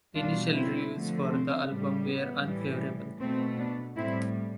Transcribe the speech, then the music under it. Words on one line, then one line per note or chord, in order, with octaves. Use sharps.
Initial reviews for the album were unfavorable.
B2 G3 D4 F4
C4 E4
D3 F3 A3
C4
A2 G3
B3
A2 E3 G3
B2 A3 C4
B3 D4
A2 G3 C4 E4